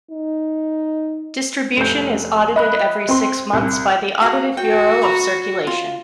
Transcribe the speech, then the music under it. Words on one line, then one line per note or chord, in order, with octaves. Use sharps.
Distribution is audited every six months by the Audited Bureau of Circulation.
D#4
F1 G6
D#5 E5 B5 F#6
C4 C6
C2
F#4 G#4 F5
F#4 G5
A#5 B5 C#6
F4